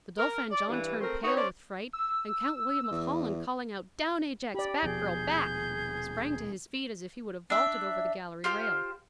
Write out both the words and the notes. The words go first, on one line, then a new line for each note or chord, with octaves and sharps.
The Dauphin John turned pale with fright, and Count William of Holland, calling out, "Down, Ajax! back, girl, back!" sprang to his feet as if he would have vaulted over the gallery rail.
A#4
D5
G2 E3
A3 C4 A#4
D#4 F#4 B4 C#5
C#4 D4 C5 D5
E6
E2
G4 D5 B5
D#1 B2 F3 G#4 G6
D4 E5
F4 G4 C5 F5